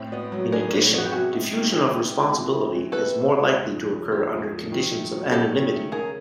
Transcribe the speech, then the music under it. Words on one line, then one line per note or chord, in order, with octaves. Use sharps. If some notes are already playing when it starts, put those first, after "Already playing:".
In addition, diffusion of responsibility is more likely to occur under conditions of anonymity.
Already playing: A2 C4
B3
F#3
D4 G#4 A#4
A2
B3
F#4
G4
C3 F#4 G#4
G#3
D#3
C3 G#4 A#4
C3
G#3
C3
G#3
E3
C3 A4 B4
C3
G#3
E2
F3
C#3
A#3 F4 G4
E2
F3
D#3
A3
F#3
C#4 G4 A4
D#3
A3
C#3 G#4 A#4